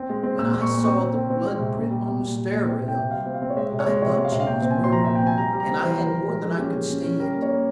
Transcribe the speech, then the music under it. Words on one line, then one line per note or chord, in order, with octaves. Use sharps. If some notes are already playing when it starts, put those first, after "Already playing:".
When I saw the blood print on the stair rail, I thought she was murdered, and I had more than I could stand.
Already playing: C4
G#3
C4
A#2 E6
A#2
C#6
A#2
C4 C#6
C4
C4
C4
G#3
C3
A#2
G3
G3
A#2
G3
A#2
C4
C3
G5
C3
G3 F5
C4
F5
C4
C#5
G#3 E5
C3
C#5
G#3
C3 C#5
G#3
F5
C3
F5
A#2 G5
C4
G#5
A#2
C6
F3 A#5
A#2 E5
G5
C4 G#5
G3 A#5
G3
A#5
C4
E3 C5
E3
A#4
E3
G#3 A#4
F3 G#4
C#4 G4
C#4 G#4
C#4
C#4
G3 A#4
A#3
C#5
A#3